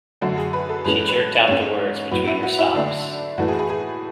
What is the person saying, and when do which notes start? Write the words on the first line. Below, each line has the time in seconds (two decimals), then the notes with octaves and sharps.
She jerked out the words between her sobs.
0.21 F#2 D3 A3 F#4
0.37 G#4
0.53 B4
0.69 A4
0.85 A2 E3 G#3 C#4 B4
0.96 A4
1.08 B4
1.48 G#2 G#3 C#4 C#5
2.11 A2 F#3 B3 F#4
2.27 E4
2.43 F#4
2.59 E4
2.75 D3 A3 D4
3.38 A2 E3 A3 F#4
3.48 G#4
3.59 G#4
3.69 G#4